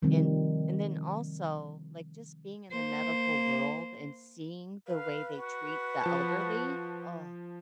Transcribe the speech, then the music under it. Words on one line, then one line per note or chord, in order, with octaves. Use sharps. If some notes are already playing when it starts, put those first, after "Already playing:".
and and then also, like, just being in the medical world and seeing the way they treat the elderly? Oh.
C3 D#3 F3 G3 C4
A#3 C5
B4 F5
F#4
F3 A5